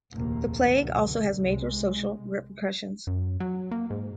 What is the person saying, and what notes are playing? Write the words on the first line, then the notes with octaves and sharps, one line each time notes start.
The plague also has major social repercussions.
F1 A#1 D#2 A#3
C#2 F#2 B2 D3
C2 G#3
F#2
F#3
A#3
G#2